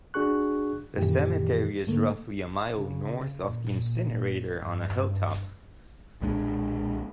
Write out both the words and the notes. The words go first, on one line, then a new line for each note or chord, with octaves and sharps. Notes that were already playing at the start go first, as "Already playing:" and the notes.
The cemetery is roughly a mile north of the incinerator on a hilltop.
D4 F#4 G#4 C#6 F#6
F#2 A#2 D#3 E3 G4
G#2 D3 A3 A#3
C#3
A#2
G2
B1 A#2 G#3 D4